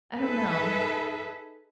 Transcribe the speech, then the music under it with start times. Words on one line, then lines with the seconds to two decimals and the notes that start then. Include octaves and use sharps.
I don't know.
0.18 D#4 G#4 A4 B4 E5